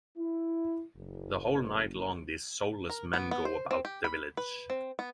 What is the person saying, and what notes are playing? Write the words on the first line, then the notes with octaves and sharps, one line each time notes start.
The whole night long these soulless men go about the village.
E4
F#1
A#4
B3
B3
C5
C4
G4
B5
B4
C4
B3